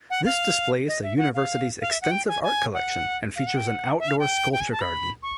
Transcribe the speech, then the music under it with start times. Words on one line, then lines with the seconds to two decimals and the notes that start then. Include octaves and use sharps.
This displays the University's extensive art collection, and features an outdoor sculpture garden.
0.10 F#5
0.25 F5
0.88 D#5
1.03 E5
1.18 F#5
1.34 F5
1.81 F5
1.91 E5
2.02 F#5
2.11 G5
2.28 G#5
2.43 G#5
2.74 F#5
3.36 F5
3.47 F#5
3.57 G5
3.67 F#5
3.99 E5
4.08 F5
4.19 G5
4.53 G5
4.61 G#5
4.72 A5
4.81 B5
5.23 C#6